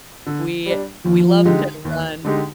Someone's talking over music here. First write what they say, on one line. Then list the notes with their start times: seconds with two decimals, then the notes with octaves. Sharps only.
we we love to run
0.26 D3
0.66 G3 D4
1.05 D#2 F3
1.45 D3 G#3 D#4 G4
1.85 D#2
2.24 D3 G#3 D#4 G4